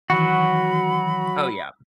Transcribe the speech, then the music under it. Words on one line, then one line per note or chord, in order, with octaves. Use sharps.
oh yeah.
D#3 E3 F#3 F#4 B5